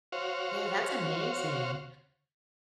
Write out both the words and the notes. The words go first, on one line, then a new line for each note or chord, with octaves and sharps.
Yeah, that's amazing.
F#4 C5 C#5 F5